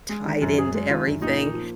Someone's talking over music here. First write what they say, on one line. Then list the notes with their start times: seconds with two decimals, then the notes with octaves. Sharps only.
tied into everything.
0.09 G#3
0.25 D#3
0.42 F#2
0.58 F#2 G#4
0.74 G#3
0.90 D#3 F4
1.06 F#2
1.21 A#2 D#4
1.38 A#3
1.54 F3